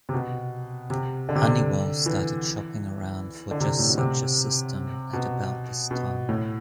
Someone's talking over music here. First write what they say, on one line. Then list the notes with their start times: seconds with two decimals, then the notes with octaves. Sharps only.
Honeywell started shopping around for just such a system at about this time.
0.09 C3
0.14 B2
0.90 C3
1.29 D3
1.35 C3
1.43 D3
2.06 E3
3.51 D3
3.60 C3
3.79 A2
3.89 B2
3.98 C3
5.13 B2
5.91 B2
6.29 A2